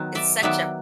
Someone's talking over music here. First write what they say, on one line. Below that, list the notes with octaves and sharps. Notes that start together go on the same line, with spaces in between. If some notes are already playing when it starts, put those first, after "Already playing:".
It's such a
Already playing: D#3 F#3 B3
D5 E5
D#3 F#3 B3 D5 E5